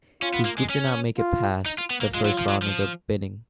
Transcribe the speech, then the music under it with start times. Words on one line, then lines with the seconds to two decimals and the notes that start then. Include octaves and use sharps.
His group did not make it past the first round of the bidding.
0.22 C#4 F4
0.34 B3
0.45 A#3
0.58 G#3
0.70 C#4
1.18 F4
1.66 D#4
1.78 F4
1.90 B3
2.01 A#3
2.14 G#3 F4
2.26 F#3
2.39 F3
2.49 F#3
2.62 F3